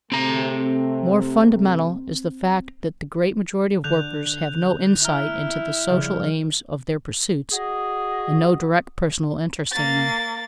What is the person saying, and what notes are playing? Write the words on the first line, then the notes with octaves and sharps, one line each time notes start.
More fundamental is the fact that the great majority of workers have no insight into the social aims of their pursuits and no direct personal interest in them.
C3 A3 C4 A#5
D3 F#6 G6 F7
E4 A#5 F6
C#3 F3 G3
F#4 G#4 D#5
A#3 A6